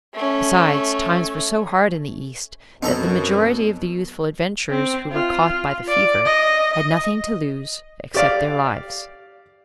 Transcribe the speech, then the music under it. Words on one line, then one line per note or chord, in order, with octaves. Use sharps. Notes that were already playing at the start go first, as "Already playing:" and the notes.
Besides, times were so hard in the East that the majority of the youthful adventurers who were caught by the fever had nothing to lose except their lives.
A3 C#4
F#2 B2 B3 C4 D#4 A4 A#5
C4
F4
D5
D#5
D#5
G4 D5 F5